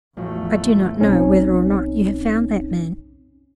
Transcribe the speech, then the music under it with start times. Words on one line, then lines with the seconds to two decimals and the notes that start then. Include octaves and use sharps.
I do not know whether or not you have found that man.
0.17 A1 E2 F3 A3 F#4
1.01 B1 C4 C#4 D#4